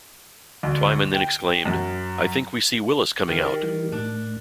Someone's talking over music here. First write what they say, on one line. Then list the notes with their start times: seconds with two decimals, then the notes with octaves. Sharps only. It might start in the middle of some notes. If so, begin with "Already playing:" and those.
Twyman then exclaimed: ""I think we see Willis coming out!
0.63 D2
1.14 G5
1.65 F#2
3.28 D#3 G4 A#4 D5
3.45 G4
3.62 E3 G3
3.92 A2 D4